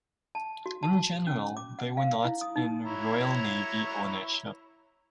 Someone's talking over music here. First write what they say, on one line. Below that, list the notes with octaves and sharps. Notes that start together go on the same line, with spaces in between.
In general, they were not in Royal Navy ownership.
A5
F#4
A5
C#4
D6
F#5
F5
E4
D#6
D#4
E4 C#5 A#5